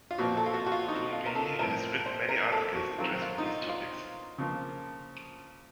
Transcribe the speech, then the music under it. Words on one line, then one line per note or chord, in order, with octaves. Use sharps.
Coombe has written many articles addressing these topics.
F4
A#2 F3 C4 F#4
A4
F4
F#4
F#4
F4
D#4
F4
A#4
A4
A2 F3 C4 A#4
C5
A#4
A4
F#4
D#3 F#3 C4 F4
F4
D#4
F4
F4
C#3 F3 A#3